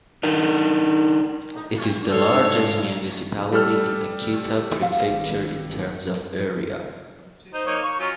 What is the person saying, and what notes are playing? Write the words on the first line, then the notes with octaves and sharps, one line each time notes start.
It is the largest municipality in Akita Prefecture in terms of area.
D4 D#4 A#4
G#2 D4 A4 C#5 F5
G3 A4 F6
F5
G#1
D#4 C5
A#3 D#4 C#5
C#6
F#3 C#4 F4